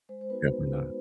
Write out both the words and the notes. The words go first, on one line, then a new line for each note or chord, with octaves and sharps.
definitely not.
G#3 C5
C5
B3 D#4 F#4 B4